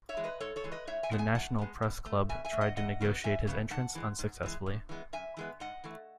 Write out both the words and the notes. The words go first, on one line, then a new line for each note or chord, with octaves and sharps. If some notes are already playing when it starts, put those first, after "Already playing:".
The National Press Club tried to negotiate his entrance unsuccessfully.
C#5 E5
E3 G#3
B4 D#5
G#2 A4 C#5
A4 C#5
E3 G#3
B4 D#5
A2 C#5 E5
E5 G#5
G#3 B3 F#5
E5 G#5
A2 F#5 A5
G#3 B3
B2
A3
B2 E5 G#5
E5 G#5
A3
D#5 F#5
E2 D#5 F#5
C#3 F#3 B3
E2 E5 G#5
C#3 F#3 B3
G#2 F#5 A5
E3 G#3
G#2
E3 G#3
F#2
E3 G#3 B3
F#2 E5 G#5
E3 G#3 B3
G#2 D#5 F#5
E3 A3